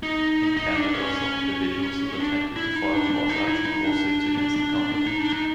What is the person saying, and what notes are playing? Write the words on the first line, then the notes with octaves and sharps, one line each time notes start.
In Canada, some individuals have attempted to file class action lawsuits against the company.
D#4
D#4
D4
C#4
D4
E4
D#4
D4
D4
D#4
E4
D#4
D4
D4
D4
D4
D4
D#4
D4
D#4